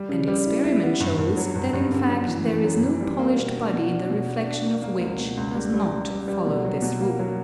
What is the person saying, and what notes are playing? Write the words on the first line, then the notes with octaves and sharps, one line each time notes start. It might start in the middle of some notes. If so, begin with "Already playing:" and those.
And experiment shows that in fact there is no polished body the reflexion of which does not follow this rule.
Already playing: G3
C#3
G3
E4
E4
B3
G2
G2
F#3
G2
G2
D3
F#2
E3
E3
F#2
E3
G3
A#3
B2
D4
B2
D4
B2
D4
D4
A#3
A#3
C#2
B2
C#2
G3
G3
G3
G3
G3
B2
F#3
B2
A#3
F#3